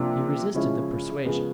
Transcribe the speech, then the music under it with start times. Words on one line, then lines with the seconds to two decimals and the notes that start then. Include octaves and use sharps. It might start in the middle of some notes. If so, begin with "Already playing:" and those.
He resisted the persuasion.
Already playing: C3 F3 A#3 D4
0.54 C#3 F3 G#3 C#4 E4
1.25 C#3 F3 G#3 B3